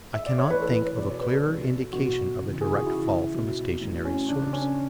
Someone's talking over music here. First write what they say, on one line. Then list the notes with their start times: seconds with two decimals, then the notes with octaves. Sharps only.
I cannot think of a clearer indication of a direct fall from a stationary source.
0.14 E5
0.26 D5
0.38 C#5
0.50 A2 E3 B4
0.62 A4
0.73 B4
0.86 C#5
0.97 B2 F#3 D5
1.10 C#5
1.21 B4
1.33 A4
1.44 B2 F#3
1.93 B2 F#3 F#4
2.39 C#3 E3
2.61 G#4
2.73 F#4
2.86 C#3 E3 E4
3.34 B2 F#3
3.81 A2 F#3
4.05 C#4
4.29 C#3 F#3 D4
4.53 C#4